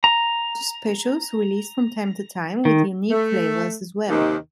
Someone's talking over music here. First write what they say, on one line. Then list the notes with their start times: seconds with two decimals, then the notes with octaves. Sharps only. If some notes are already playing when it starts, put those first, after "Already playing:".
There are also specials released from time to time, with unique flavors as well.
0.04 A#5
2.65 D#3
3.11 A3
4.09 D#2 C3 D#3